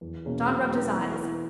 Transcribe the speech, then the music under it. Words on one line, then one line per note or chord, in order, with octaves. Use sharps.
John rubbed his eyes.
E2
B2 A#3 C#4 G#4
F#3
A#3 D#4
E3
B3 E4